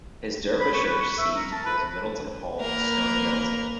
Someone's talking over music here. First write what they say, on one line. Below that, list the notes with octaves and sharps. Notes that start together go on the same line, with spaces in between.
His Derbyshire seat was Middleton Hall, Stoney Middleton.
B5
C#6
B4
C#6
E5
A#4
A5
B4
A#3 A#4 B4